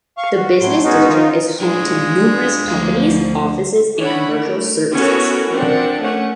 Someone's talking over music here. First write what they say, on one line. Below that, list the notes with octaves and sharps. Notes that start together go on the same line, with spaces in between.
The business district is home to numerous companies, offices, and commercial services.
F5 C#6
F#4
A2 F#3 C6
G#3 B3 C#4 D#4 F#4
D#3 D#4 F4
G#3 D4 F4
D2 F3 A3 F5
C#4 D4 E4 C#5 F#5 B5
A3 A#4
B3 C#4 E4 F#4 A4 A#4
F3 C4 D4 A#4 F#5
A3 C#4 F#5